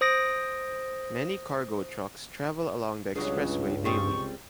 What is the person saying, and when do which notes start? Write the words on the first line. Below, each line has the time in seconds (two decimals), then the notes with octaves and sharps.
Many cargo trucks travel along the expressway daily.
0.01 C5 D#6 A#6 D7
3.15 C#2 G2 C#3 F#3 G#4
3.85 G3 C4 G#4 C#6